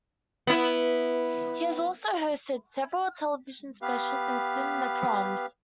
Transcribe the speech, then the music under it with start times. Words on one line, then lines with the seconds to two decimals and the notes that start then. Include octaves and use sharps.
He has also hosted several television specials, including "The Proms".
0.47 B3 E4
3.82 B3 G4 B4 F5